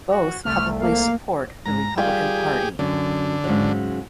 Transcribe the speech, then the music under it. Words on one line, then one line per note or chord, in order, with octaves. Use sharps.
Both publicly support the Republican party.
F#4
C2 A3 F6
A#3 F5
G#2 A#5
D#3 G3 F4 G4 G#4
F#2 D3
G#2 C#3 F#3